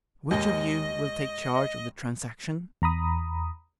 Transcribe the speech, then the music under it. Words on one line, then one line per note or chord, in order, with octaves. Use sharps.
"Which of you will take charge of the transaction?"
D#2 G#2 D#5
E2 A#5 B5 D#6